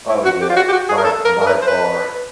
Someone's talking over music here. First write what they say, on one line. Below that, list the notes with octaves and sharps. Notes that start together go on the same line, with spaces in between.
Oh, yeah. By by far.
E4
F#4
G4
F4
F#4
G4
F#4
G#4
A#4
A4
A#4
A#4
B4
C5
B4